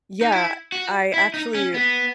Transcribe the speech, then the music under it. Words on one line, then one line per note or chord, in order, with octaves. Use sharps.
Yeah, I actually,
D#4
E4
F#4
E4
D#4
C#4
B3